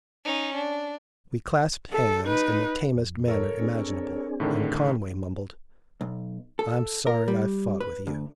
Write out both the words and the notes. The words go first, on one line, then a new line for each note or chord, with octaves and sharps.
We clasped hands in the tamest manner imaginable, and Conway mumbled, "I'm sorry I fought with you."
C#4 D#4
D4
A4
D#4 B4
F2
A4 A#4 C#5
C4 D4 G#4
A2 D3 D#3
B1
A4
A#4
G3
B4
D2